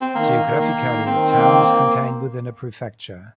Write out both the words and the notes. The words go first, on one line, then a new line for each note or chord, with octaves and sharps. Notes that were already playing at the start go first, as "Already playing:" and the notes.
Geographically, a town is contained within a prefecture.
C4
D#3 A#3
D#3
A#3
D#3
D#3 C4
A#3